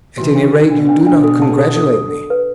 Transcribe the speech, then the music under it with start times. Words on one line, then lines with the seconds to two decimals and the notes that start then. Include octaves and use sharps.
"At any rate you do not congratulate me."
0.17 C3 E3 F#4
0.35 D4
0.53 D4
0.70 B2 D3 D4
0.89 D4
1.07 D4
1.24 A4
1.42 A5
1.59 A4
1.77 A4
1.94 A4
2.12 A4
2.30 B4